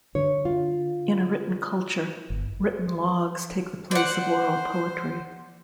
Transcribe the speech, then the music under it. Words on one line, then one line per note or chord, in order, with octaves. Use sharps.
In a written culture, written logs take the place of oral poetry.
D3 C#5
F4
G1
C5 D5 F#5